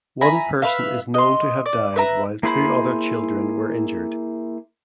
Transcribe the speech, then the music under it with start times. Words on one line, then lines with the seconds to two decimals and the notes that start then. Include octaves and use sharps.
One person is known to have died while two other children were injured.
0.21 E5 G#5 A#5 B5
0.62 B4 E5 F5
1.14 D#5 C6
1.66 D5
1.96 B4 E5 A#5
2.43 A#3 E4 G#4 C5 B5